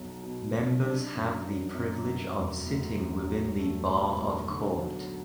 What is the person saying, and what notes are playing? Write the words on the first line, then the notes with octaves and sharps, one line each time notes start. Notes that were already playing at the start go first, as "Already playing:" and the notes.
Members have the privilege of sitting within the bar of court.
Already playing: B1 F#3
B2
B1
D4
F#2
F#3
F#2
D3
E1
D2
E1
F#3
A3
A2
B1
D3
F#3